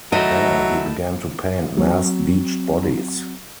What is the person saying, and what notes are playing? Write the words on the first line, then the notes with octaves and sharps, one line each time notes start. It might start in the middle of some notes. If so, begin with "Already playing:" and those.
There he began to paint massed beached bodies.
D#3 F#3 A3 E4 D#5
F#3 C4